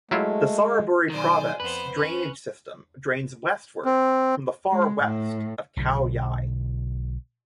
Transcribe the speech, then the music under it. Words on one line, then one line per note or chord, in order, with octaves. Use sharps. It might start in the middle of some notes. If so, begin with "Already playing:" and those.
The Saraburi Province drainage system drains westward from the far west of Khao Yai.
F#3 G#3 A3 E4 F4
B1 D#3 C5 D5 G#5
F2 B3 B4 C5
C#4
C4
G#3
A2
B1 B2 D3